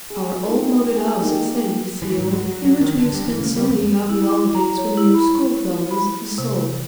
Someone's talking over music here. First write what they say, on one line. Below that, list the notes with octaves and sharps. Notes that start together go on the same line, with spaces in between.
Our old moated house at Sandyseal, in which we have spent so many happy holidays when we were schoolfellows, is sold.
G#4
D#4 F4 G4 A#4
G#4
A#3 D#4 G4
E3
G#2
F#3
F#3
F#3
D#3
D3
G2
E3
C#3
G3
F2
E4
D6
A#5
C#5
E4
B5
B5
C3